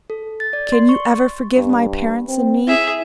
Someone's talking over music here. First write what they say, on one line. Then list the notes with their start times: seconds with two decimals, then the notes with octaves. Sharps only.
Can you ever forgive my parents and me?
0.10 A4
0.40 A6
0.53 D5
0.72 C6
0.89 C#6
1.56 G2
2.28 C4
2.68 E4 G#4 E5